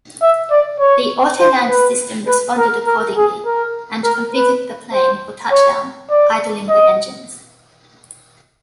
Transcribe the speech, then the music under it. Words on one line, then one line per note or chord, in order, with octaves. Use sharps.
The autoland system responded accordingly and configured the plane for touchdown, idling the engines.
E5
D5
C#5
C5
B4
B4
A#4
A#4
G#4
A#4
A#4
B4
C5
C#5
D5
D#5